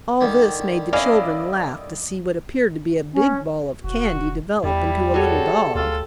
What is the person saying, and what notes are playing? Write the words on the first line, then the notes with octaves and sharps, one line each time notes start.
All this made the children laugh to see what appeared to be a big ball of candy develop into a little dog.
D3 D#3 G3
C#4 E4 D5 D#5 F5
C#4
E1 F#4
E2 G3 E4
F#4 G#4 A4 C#5
D2 F4 A4